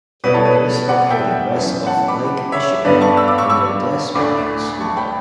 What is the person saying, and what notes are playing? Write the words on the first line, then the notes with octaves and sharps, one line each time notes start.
It is located west of Lake Michigan on the Des Plaines River.
B2 G3 B3 E4 B4
A4 C#5
B4
B4
D5 F#5
E5 G5
F#2 E3 B3
F#5 A5
B5 D6
C#5 E5
G2 D3 G3 B3 B4 D5
A5 C#6
E6
D6
C#6 E6
C#6 E6
D2 D3 A3 D4 B5 D6
A5 C#6
G5 B5